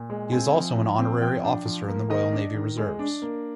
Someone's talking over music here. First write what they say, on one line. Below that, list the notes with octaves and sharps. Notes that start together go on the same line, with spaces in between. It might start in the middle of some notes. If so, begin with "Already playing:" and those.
He is also an Honorary Officer in the Royal Navy Reserves.
Already playing: A#2
G#3
C4 G#5
F3
F3
C4
F3 G5
D4
F3
A#3
D#3 D#5
D4
D#3
G#3
D4
A#3